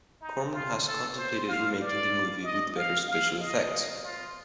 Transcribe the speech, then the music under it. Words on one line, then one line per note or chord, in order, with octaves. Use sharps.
Corman has contemplated remaking the movie with better special effects.
D#4
F4
A4
C5
F5
D5
D#5
F5
F5
D#5
F4